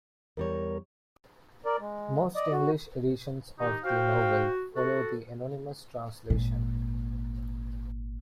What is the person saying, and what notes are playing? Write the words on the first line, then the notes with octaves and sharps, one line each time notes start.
Most English editions of the novel follow the anonymous translation.
E2 G3 A#4 C#5
A#4 D5
G#3
D5 D#5
F#4
A2 D#3 D#4 G4
F#4 C5 F5 G5
F#4 A4
G#1 A#2